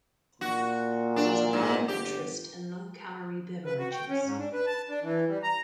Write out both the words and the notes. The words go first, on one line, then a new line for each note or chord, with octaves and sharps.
There was a growing interest in low-calorie beverages.
A#2 F#4
D4
G#2
G1 G4
B4
F#4
G5
C#4
G#2
D4
B4
A5
D4
E3
G3
A#5